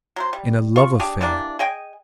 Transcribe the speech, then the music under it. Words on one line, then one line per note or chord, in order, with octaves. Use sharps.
In a love-affair.
F#3 A#4 C5
G3
F4 C#6
D4 G4 G#4
E3 G3 A#3 D4
G#4 D#5 G5 G#5